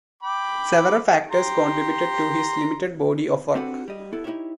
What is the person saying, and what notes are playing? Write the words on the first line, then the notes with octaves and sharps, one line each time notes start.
Several factors contributed to his limited body of work.
G5 B5 D6
G4 A#5 C6
C4 D4 F#4 A4 B4
G3 D#5
B3 E4 A4
D#4 E4 F#4 G4 C#5 E5